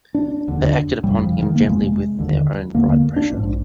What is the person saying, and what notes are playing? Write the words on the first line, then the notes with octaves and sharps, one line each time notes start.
They acted upon him gently with their own bright pressure.
D4
F1 D#2 D3
G1 F2 C3 G3
F3
D#3
A#3
G1 F2 C3 G#3
F1 D#2 D3
F1 D#2 D3 A#3
A#3
D4
A#1 G#2